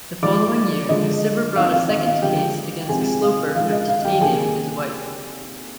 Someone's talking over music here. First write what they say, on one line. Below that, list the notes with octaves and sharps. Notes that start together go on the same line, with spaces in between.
The following year, Cibber brought a second case against Sloper for "detaining" his wife.
F3 G#3 D#4 D5 D6
D3 F3 G#3 D#5
F3 C4 D#4 F5
F5
D#5
F5
D3 F3 G#3 G4 G5
C3 F3 G#3 C4 D#4 G#4 G#5
F5
F3 G#3 D#4 F5
D#5
F5
G4 G5
C3 D#3 A#3 D4 G#4 G#5